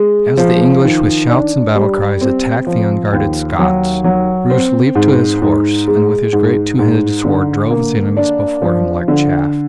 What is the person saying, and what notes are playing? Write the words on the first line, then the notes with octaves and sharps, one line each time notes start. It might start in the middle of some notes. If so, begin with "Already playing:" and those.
As the English with shouts and battle cries attacked the unguarded Scots, Bruce leaped to his horse and with his great two-handed sword drove his enemies before him like chaff.
Already playing: G#3
F3
D#3
D4
G3
C4
F3
D#2
F#3
F#3
C4
G#2
G#2
G#3
G#2
G#2
D3
A#3
D4
F3
D3